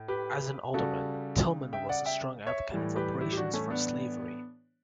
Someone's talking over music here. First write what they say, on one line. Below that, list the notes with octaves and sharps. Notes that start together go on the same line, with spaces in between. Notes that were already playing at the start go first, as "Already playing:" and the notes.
As an Alderman, Tillman was a strong advocate of reparations for slavery.
Already playing: A2
G4 B4
C#3 G3 F#4 A4
E5 G5
D5 F#5
E5 G5
C#5 E5
A2 E3 G3
G4 B4
E4 G4
G4
D4 F#4
A3 C#4
B3 D4